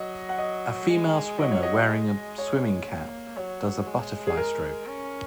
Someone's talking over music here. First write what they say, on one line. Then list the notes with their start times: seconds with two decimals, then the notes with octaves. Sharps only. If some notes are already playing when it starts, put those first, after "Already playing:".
A female swimmer wearing a swimming cap does the butterfly stroke.
Already playing: F#3 D#5
0.29 F#5
0.38 D#5
0.89 G#3
1.38 F#3 D#5
1.51 C#5
1.63 D#5
1.89 G#3
2.38 C#5
2.87 A#3
3.37 F#3 C#5
3.87 G#3
4.27 G#4
4.37 A#4
4.87 C#4